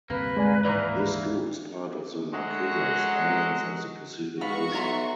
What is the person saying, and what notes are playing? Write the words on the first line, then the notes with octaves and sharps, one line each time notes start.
This group is part of the Marquesas Islands of the Pacific Ocean.
D2 G2 C3 A#3 B4
G#3 D5 G#5
D1 G#2 D#3 E3 A#3 D5 A#5
F#3 G#3 A3 F#4
G#2 B3 F#4 F5 B5 C#6
B1 E5 A#5 C6